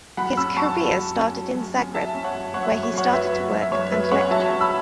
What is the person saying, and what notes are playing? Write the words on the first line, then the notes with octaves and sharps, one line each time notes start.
His career started in Zagreb, where he started to work and lecture.
F#2 F#5 B5
C#4 B5 E6
F#2 A5 C#6
F#3
F#2
C#4
F#3
F#2
C#4
F#3 E5 A5
C#4
C#5 F#5
F#2
F#2 C#5 F#5
E5
C#5
F#2
C#5
F#2 C#5 F#5
F#3 B4 E5
F#3
F#2
E5
F#2 C#5
F#2 B4 E5
C#4 C#5 F#5
F#3 E5 A5
F#3
B5 E6